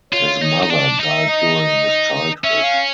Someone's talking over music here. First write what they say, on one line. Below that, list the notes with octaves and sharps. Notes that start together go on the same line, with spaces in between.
His mother died during his childhood.
F4 C#5
D#4
D#4
D4 D5
D#4
E5
D#5
C#4 E5
F5